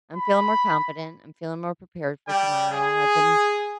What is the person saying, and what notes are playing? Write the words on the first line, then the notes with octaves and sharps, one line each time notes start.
I'm feeling more confident, I'm feeling more prepared for tomorrow, I've been
B5
G3 G5
G#4